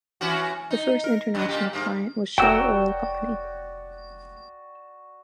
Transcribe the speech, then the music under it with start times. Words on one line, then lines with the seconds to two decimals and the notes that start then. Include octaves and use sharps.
The first international client was Shell Oil Company.
0.21 E3 C#4 F#4
0.71 D#4
1.04 A#4
1.35 F#2
1.49 A#2 A#3 G4
1.73 G2 A#3
2.38 F1 F#4 A#4 C#5 D5 F#5 G5 E6